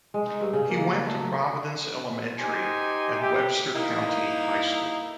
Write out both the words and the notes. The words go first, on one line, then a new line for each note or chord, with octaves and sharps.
He went to Providence Elementary and Webster County High School.
G#3
D#4
G2
C#3
A#3
F#3
A3
F#3
D#4 G4 C5 G#5
G4 E5
A#3 D#4 E4